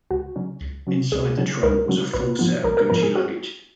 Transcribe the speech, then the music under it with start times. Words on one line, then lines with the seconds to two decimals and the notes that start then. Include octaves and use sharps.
Inside the trunk was a full set of Gucci luggage.
0.10 C#2 F#4
0.36 C#3 F#3 C#4
0.61 C#2
0.87 C#3 F#3 C#4
1.12 C#2 G#4
1.37 C#3 F#3 C#4
1.63 C#2 A#4
1.88 C#3 F#3 C#4
2.13 A#1 B4
2.39 G#2 F3 B3
2.64 A#1 A#4
2.77 A#4
2.89 G#2 F3 B3 A#4
3.02 G#4
3.15 F#4